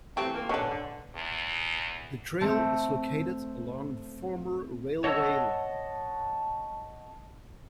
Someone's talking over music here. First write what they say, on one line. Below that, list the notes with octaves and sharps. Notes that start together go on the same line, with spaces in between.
The trail is located along the former railway line.
E3 A3 C4 G4
A#3 F4 F#4 B4
D3 C#4 B4 D#5 G#5 A5
D3 C5
E2
A3 C4
C#5 D#5 F#5 A5 E6